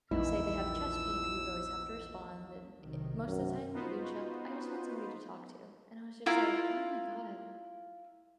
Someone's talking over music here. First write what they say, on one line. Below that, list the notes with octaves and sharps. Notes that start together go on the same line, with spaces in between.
say they have chest pain, and we would always have to respond, and i i most the time, we would show up, "I just want somebody to talk to," and I was just like, "Oh my god."
A#1 E2 D#4 E4 E6
B1 C3 D#3
F#2
B3 D#4 F4 F#4 B4 C5
E4 F4 A#4